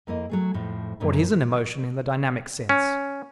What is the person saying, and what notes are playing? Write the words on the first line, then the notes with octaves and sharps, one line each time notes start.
What is an emotion in the dynamic sense?
F2 A#3 E4 D#5
F#3 A3 G#4
F2 A2 F3
F#2 A#2 C#3
C#4